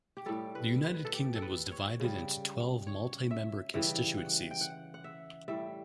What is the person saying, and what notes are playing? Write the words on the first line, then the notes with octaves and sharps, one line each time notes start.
The United Kingdom was divided into twelve multi-member constituencies.
G4
A2 G3 A4
B4
B4
A4
G4
A4
B4
C#5
C#3 G3
C#5
E5
C#3 E3 G3 E5
F#5
G5
F#5
F#5
E5
A2 G3 E5